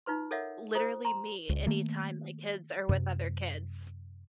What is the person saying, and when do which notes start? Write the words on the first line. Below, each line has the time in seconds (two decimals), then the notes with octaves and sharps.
Literally me, anytime my kids are with other kids.
0.06 D#4 F4 B4 C6
0.31 A4 A#4 C#5 D#5 E5 F#5
0.75 F4 C5 D#6
1.05 A#5 C6
1.49 C#2
1.66 D#3 A3 A#3
2.89 F#2 C3